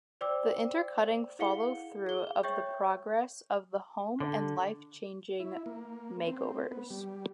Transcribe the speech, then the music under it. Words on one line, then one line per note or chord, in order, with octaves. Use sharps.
The intercutting follow through of the progress of the home and life-changing makeovers.
C5 D5 G5 D6 E6
E4 G#4 F5 F#5 C#7 G7
G#4 G7
C#5 E5 G5 C#6 G6
D3
E4
A#3
C4
B3
G3